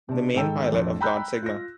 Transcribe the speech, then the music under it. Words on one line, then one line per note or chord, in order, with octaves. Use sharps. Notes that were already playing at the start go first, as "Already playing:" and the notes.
The main pilot of God Sigma.
C3 D4
G#2 D#3 A4 G5 E6
A#1 F2
G5 A#5 B5 E6 F#6 G6
F4 A#6